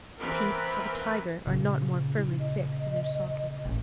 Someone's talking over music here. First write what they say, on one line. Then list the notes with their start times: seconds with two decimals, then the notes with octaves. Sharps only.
The teeth of a tiger are not more firmly fixed in their sockets.
0.19 E3 B3 C4 A#4 B4
1.47 A#2 C#3
2.16 E4
2.39 D#5
3.65 A1 A2